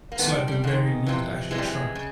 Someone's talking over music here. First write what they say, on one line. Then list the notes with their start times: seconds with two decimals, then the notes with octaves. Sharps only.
So, at the very least, I should try.
0.12 A#3
0.19 G#2 D#3 A3 B3
0.35 G3
0.48 G3
0.64 G#2 D#3 G#3
1.06 F2 C3 E3
1.51 F2 C3 E3 G#3
1.58 G3
1.67 G#3
1.95 C#3